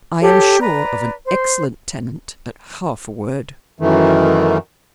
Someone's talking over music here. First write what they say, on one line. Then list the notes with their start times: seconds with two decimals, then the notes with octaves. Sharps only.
I am sure of an excellent tenant at half a word.
0.21 G4 A4 C#5
0.59 B4 D5 A#5
1.26 C5
3.80 F#2 D#3 E3 A3